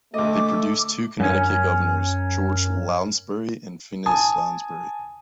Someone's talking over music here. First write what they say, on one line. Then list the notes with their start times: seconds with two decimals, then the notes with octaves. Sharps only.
They produced two Connecticut governors, George Lounsbury and Phineas Lounsbury.
0.14 D2 A3 D#5 D6 E6
1.20 F#2 C#4
4.06 G#5 A5 D#6